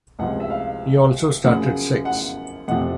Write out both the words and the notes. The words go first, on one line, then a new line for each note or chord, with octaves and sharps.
He also started six.
C#2 C3 F3 F#5
E5
F5
F#2 C#3 F3 F#5
F#5
F2 C3 F3 F#5